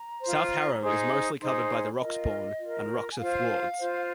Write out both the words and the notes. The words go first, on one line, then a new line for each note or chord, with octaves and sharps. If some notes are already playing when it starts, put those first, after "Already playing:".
South Harrow is mostly covered by the Roxbourne and Roxeth wards.
Already playing: A#5
F4 C5
D#4 G#4 C5
D#4 G#4 C5 C6
D#6
C6
F4 A#4 D#5
F4 A#4
G#5
F4 C5 F5
F4 C5